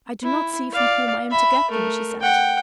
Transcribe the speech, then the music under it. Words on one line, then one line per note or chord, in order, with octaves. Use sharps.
"I do not see from whom I am to get them," she said.
E4
D5 F5
E5 B5
A3 A#4
F#5 G5